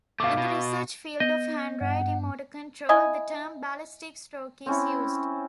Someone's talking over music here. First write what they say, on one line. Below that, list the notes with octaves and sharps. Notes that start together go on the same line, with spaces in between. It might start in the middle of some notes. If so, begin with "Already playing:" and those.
In the research field of handwriting motor control, the term ballistic stroke is used.
B2 A3 F5 D6
B2
B3 D#5 G6
G2 F#5
E4 D#5 G#5
C4 C#4 E4